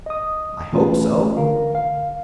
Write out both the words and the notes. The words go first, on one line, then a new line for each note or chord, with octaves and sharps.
"I hope so."
D#5 D#6
E3 A3 C#4 F4 B4
D3 A#4 F5
F5